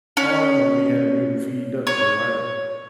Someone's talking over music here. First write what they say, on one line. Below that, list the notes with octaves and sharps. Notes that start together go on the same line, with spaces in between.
pond, and we had we would feed ducks there, right,
C#4
C#5